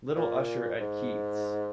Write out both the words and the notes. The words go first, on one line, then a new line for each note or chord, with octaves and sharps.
Little usher at Keith's.
A#2
G#2